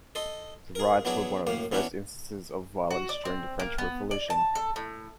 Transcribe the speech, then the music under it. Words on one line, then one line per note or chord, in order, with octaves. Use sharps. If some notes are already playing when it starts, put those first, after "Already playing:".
The riots were one of the first instances of violence during the French Revolution.
A4 D#5 C6
G#4 A#4
F#3 B3 D4 E4 F#4 G#4
F#2 A2 A#3 F5
E3 B3 C#4 D4 E4 F#4
F#4
D5
C4
A#3
B3
D5
A5
A4
A2